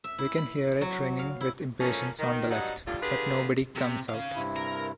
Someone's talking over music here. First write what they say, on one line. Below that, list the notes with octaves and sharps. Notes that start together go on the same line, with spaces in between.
We can hear it ringing with impatience on the left, but nobody comes out.
E5
E4
B5
F#3
F5
E4
F3 A3 A#3 C#4
D#3
G2 F#3 G3 D#4 D#5 F#5
E2 A2 D3 G3 F4
D3 F4 G4 G#4 B4
C3
C#4 F5
G2 C3 E4
A#4